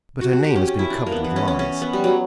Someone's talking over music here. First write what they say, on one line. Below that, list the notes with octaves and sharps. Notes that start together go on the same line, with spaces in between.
"But her name has been covered with lies."
F#4
F#4
G4
C#4
C#4
E4
D4
A#3
B3
E3
C#4
C#4
C#4
B3
G3
F#3